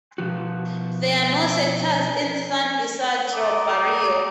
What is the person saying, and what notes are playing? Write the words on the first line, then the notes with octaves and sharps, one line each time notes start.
There are no sectors in San Isidro barrio.
B2 F3 F#4
A4 D5 A#5 D6 D#6